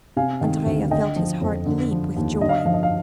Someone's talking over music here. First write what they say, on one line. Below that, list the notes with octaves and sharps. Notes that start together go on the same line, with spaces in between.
Andrea felt his heart leap with joy.
C3 F5 G#5
D#3
D2
D3 D#5 G5
F3
F2
D3
F3
D#2
D3 D#5
F5
D#5
F3 F5
D#5
F5